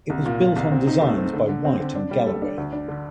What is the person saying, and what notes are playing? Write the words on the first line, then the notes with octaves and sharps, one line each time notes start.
It was built on designs by Whyte and Galloway.
C2
A#2
A#2
C2
C4
D#4
A3
C4
D3
D3
C4
D3
D4
G3
A4
D4
D2
D4
D3